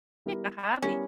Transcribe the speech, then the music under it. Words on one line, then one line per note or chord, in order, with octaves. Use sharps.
pick a hobby?
G3 B3 E4 G4 A#4
G3 B3 C#4 E4 G4 A#4